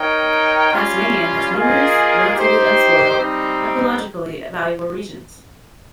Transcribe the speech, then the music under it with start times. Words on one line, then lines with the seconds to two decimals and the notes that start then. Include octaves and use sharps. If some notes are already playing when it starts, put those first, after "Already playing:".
Tasmania has numerous relatively unspoiled, ecologically valuable regions.
Already playing: D#4 A#4 C#5 G5
0.71 G3 C#4 F4
1.53 A#3 F4 G#4 D#5
2.35 D#4 G4 C5 G5
3.18 G3 C4 D#4